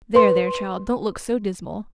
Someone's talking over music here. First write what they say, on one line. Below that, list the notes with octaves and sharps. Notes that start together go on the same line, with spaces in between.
There, there, child, don't look so dismal.
B4 C6